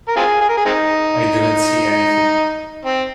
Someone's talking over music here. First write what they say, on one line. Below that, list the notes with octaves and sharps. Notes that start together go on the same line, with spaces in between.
I didn't see anything.
A#4
C4 F4 G#4
G#4
A#4
G#4
G#3 C4 D#4
C4